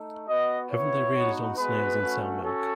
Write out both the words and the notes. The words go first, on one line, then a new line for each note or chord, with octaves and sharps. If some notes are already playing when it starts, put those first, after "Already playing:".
Haven’t they reared it on snails and sour milk?
Already playing: A3 D#4
B3 F#4 D#5
B3 E4 C#5
B3 D#4 F#4
G#3 B3 F#4 B4
A3 C#4 F#4
C#4 F#4 A4